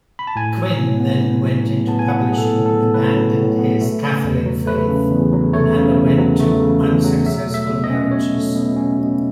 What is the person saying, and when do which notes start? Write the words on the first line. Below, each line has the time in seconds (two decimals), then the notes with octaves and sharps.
Quinn then went into publishing, abandoned his Catholic faith, and underwent two unsuccessful marriages.
0.19 B5
0.27 A5
0.36 A2 G#5
0.57 F#3
0.79 A2
1.00 B3
1.22 A2
1.44 F#3
1.66 A2
1.87 B3 A5
1.99 G#5
2.08 A2 F#5
2.30 F#3 G#4
2.38 A4
2.52 A2
2.66 A4
2.74 B3
2.94 A2 B4
3.16 F#3
3.37 A2
3.59 B3
3.81 A3
4.03 C#3
4.24 E2
4.46 F#3
4.67 A3 B4
4.88 C#3
5.11 E2
5.32 F#3
5.53 A3 C#5
5.76 C#3
5.97 E2
6.18 F#3
6.40 A3
6.62 C#3
6.82 E2
7.04 F#3
7.25 B2 E5
7.47 A3
7.54 E5
7.69 B2
7.84 D#5
7.90 C#4
8.11 B2 C#5
8.34 A3
8.56 B2
8.76 C#4
8.99 B2